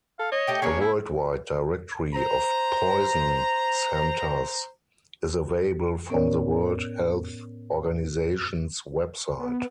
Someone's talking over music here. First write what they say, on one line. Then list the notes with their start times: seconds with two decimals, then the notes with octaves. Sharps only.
A worldwide directory of poison centers is available from the World Health Organization's website.
0.19 A4 F5
0.32 C#5 D#5
0.47 A3 G4 G5
0.62 A#3 C#4 D4 G#4 C#5
0.81 E4
2.15 C5 A#5
6.10 A2 B3 C#4 A#4 C#5 D5
9.39 B3